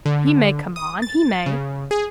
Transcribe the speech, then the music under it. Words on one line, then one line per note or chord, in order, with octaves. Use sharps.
He may come on--he may.
D3
D#6
A6
C#3
G#4